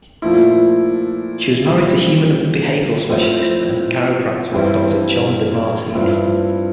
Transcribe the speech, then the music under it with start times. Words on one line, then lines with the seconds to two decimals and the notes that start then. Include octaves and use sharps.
She was married to human behavioral specialist and chiropractor Doctor John Demartini.
0.22 A#2 F3 A3 E4
1.65 A#2 G3 C4 E4
3.09 A2 F3 C4 E4
4.52 G2 E3 G3 C4 E4
5.94 G2 F3 C4 E4